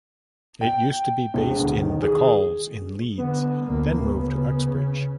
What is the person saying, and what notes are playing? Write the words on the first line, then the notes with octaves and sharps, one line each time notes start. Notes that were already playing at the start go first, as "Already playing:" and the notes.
It used to be based in "The Calls" in Leeds, then moved to Uxbridge.
G5
E1
D2
D#3
G#4
D3 B3
D2 A#3
C#3